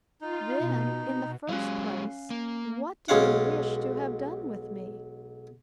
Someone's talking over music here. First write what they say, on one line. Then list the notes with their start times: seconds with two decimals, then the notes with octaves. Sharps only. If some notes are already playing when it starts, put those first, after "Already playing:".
Then, in the first place, what do you wish to have done with me?
0.21 D#4 F4
0.59 B2
1.49 F#3 G#3 C#4 F5
2.30 A#3
3.08 B1 G#3 C#4 F5 F#5